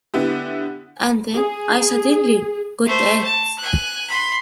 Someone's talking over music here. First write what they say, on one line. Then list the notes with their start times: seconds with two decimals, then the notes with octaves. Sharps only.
And then I suddenly got it.
0.14 D3 B3 E4 G4
1.35 G#4
2.85 A3 C5
3.24 A5
3.59 G#5 F#6
4.09 B5 C6